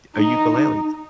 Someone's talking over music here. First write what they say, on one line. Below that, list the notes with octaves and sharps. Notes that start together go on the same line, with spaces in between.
a ukulele.
D#4